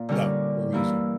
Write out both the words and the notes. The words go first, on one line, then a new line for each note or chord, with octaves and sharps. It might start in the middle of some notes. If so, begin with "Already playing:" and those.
No, very easy,
Already playing: A#2 A#3
D3 G3 C#4 A#4
G2 E3 A#3 E4